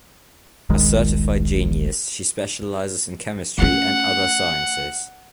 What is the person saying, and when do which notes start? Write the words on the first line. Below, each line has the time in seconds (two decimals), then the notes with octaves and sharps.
A certified genius, she specializes in chemistry and other sciences.
0.69 D#1 A#1 D#3 G#3
3.58 A3 C#4 F#5